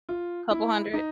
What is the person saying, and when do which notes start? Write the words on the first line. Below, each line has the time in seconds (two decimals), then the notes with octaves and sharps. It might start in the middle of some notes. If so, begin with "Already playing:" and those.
couple hundred.
0.09 F4
0.51 E4
0.94 D#4